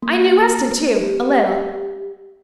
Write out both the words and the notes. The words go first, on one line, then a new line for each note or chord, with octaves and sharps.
I knew Weston, too, a little.
A#3
G4